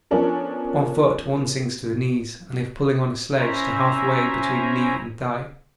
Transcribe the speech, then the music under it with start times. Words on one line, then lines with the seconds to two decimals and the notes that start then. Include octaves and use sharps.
On foot one sinks to the knees, and if pulling on a sledge to half-way between knee and thigh.
0.11 F3 B3 C#4 D4 A4 A#4
3.39 C#4 E4 C5 E5 G#5 A#5